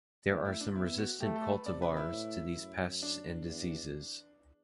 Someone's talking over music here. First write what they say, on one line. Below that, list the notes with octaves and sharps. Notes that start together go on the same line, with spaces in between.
There are some resistant cultivars to these pests and diseases.
A3 E4
E4
D4
B3 E4
F#4
A3 G4
A4
B4
C3 D5
B4
E4
A2
F#2
D4
E2